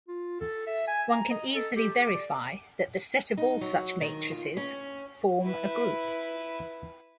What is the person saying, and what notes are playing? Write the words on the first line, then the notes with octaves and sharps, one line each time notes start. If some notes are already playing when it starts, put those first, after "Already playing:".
One can easily verify that the set of all such matrices forms a group.
F4
A4
E5
G#5
A#5
D#5
A4
G4
D6
D5
D#4
F#3
D#3
F4
C#4
E4 B4